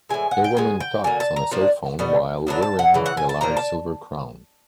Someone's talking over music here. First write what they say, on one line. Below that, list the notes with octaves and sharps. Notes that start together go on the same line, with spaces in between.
A woman talks on a cellphone while wearing a large silver crown.
A2 E3 G#3 G#5
F#5
G5
D#3 G#3 G#5
G5
D3 F#3 A#3 G#5
A5
A#5
F3 A#3 D4
B2 G3 B3 D#4
A2 F#3 B3 D4
A5
F#5
C#3 E3
F#5
G#5
A5
A#2 F3 A#3 D4 A#5
A5